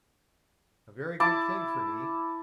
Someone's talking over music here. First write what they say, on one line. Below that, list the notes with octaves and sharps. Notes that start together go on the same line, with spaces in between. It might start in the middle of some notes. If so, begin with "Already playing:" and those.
A very good thing for me.
E4 A5 D6